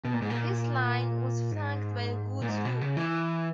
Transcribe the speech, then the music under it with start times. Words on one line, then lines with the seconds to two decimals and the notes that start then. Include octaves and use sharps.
This line was flanked by a goods loop.
0.05 B2
0.13 A#2
0.22 G#2
0.30 A#2
1.51 G#2
2.42 A#2
2.48 G#2
2.65 B2
2.81 C#3
2.97 E3